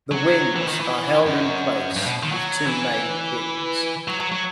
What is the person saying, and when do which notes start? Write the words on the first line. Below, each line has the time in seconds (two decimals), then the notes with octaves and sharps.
The wings are held in place with two main pins.
0.11 F#3
0.56 E3
0.68 D#3
0.80 E3
1.26 F#2
1.96 G2
2.06 B2
2.23 D#3
2.32 F#3
2.67 E3
4.08 F#3
4.20 F#3
4.32 F#3